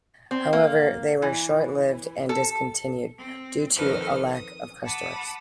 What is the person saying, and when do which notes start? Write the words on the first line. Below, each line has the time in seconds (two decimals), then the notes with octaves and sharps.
However, they were short-lived, and discontinued, due to a lack of customers.
0.31 C4
0.53 A#3
1.22 E3
2.29 A4
3.17 C4
3.74 F2 D#3 A4 B4 C5 F6
4.32 D#6
4.83 F#5 A5 B5 D6 D#6